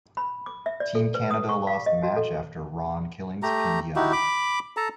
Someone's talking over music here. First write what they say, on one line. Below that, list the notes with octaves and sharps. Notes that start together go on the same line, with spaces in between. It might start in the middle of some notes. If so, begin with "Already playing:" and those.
Team Canada lost the match after Ron Killings pinned Young.
B5
D6
E5
D5
A4
B4
D#6
C#6
F5
D#5
F#4
A4
A3 G4 A#5
D#4 E4 F#4 G4
B5 D6
A4 A5 A#5